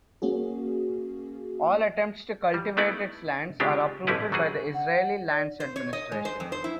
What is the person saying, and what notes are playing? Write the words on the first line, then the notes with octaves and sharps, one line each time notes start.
All attempts to cultivate its lands are uprooted by the Israeli Lands Administration.
A#3 C#4 F#4 G#4
G3
A3 B3 D#4 E4 D5
C#3 G#3 C4 D4 F4 G4
A1 D3 C4 C#4 E4 B4
F#3 G3 F#4 G#4
F#5
D5
C5
C#5
D#5
G#3
C5
F2
C5
E4